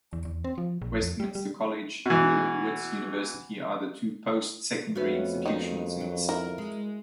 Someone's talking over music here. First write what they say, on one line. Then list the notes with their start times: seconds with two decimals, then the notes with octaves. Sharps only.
Westminster College and William Woods University are the two post-secondary institutions in the city.
0.13 E2
0.25 E2
0.44 C4
0.58 F3
0.82 A#1
1.01 F2
1.20 G3
1.35 G3
2.06 B2 E3
4.96 F2 A3 B3 C#4 F#4 B4
5.46 D#3 D#4
6.00 F#3
6.29 E4 A#4
6.58 G#3